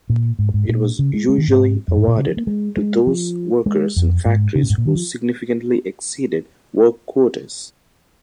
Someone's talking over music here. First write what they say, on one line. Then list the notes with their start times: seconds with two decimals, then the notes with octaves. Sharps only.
It was usually awarded to those workers in factories who significantly exceeded work quotas.
0.10 A#2
0.39 G#2
0.54 G#2
0.69 A#2
0.99 C#3
1.13 G#3
1.29 G#3
1.38 D#3
1.48 G#2
1.88 F2
1.97 G#2
2.08 A#2
2.17 C#3
2.27 F3
2.37 A#3
2.47 G#3
2.77 G#3
3.07 F3
3.66 G#3
3.96 F2
4.25 G#2
4.55 C#3
4.63 A#2
4.70 G#2
4.78 A#2
4.86 D#3
4.95 F3